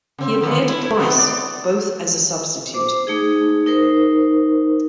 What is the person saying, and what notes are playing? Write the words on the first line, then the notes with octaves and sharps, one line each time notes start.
He appeared twice, both as a substitute.
C#3 C4
D3 D#3 F3
E4
B3 C4 D#4
D5
C5 D6
A3 D#4 G#4
D#4 A#4 C5